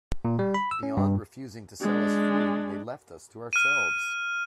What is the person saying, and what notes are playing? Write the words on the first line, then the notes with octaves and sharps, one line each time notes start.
Beyond refusing to sell us food, they left us to ourselves.
A#2
G3
B5
E6
C#4
G2
G#3 D4
F6 D#7